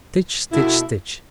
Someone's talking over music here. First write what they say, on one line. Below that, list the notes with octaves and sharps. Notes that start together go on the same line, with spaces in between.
Stitch, stitch, stitch.
B2 A3 E4